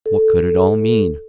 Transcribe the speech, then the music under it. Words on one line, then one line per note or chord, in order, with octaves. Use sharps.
What could it all mean?
A4